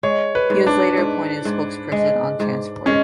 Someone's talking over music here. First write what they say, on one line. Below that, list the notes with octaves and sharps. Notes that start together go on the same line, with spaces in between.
He was later appointed spokesperson on Transport.
G#3 C#5
B4
G#2
D4
G#2
G#2
G#3
G#2
G#3 C#4